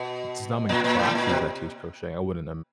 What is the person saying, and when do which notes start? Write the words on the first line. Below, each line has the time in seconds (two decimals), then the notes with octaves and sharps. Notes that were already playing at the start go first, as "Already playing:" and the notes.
there's not many classes that teach crochet I wouldn't
Already playing: B2
0.69 A#2
0.84 A#2
0.99 A2
1.15 A#2
1.29 C3